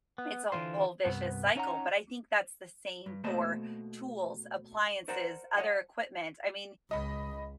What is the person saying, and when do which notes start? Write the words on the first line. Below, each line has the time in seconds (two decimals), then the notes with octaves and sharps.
it's a whole vicious cycle, but I think that's the same for tools, appliances, other equipment, I mean,
0.18 B3
0.52 D3 E3 A3 F4 C5
1.05 C2 G2 B3
1.56 C#4 D#4 C#5 D#5 F#5 A#5
3.06 G2
3.24 B2 A3 A#3 C5 D#5 A5
5.08 A#4 C5 D5 F#5 A5 A#5
5.57 C#5 D#5 F#5 A5
6.91 C#2 D#5 B5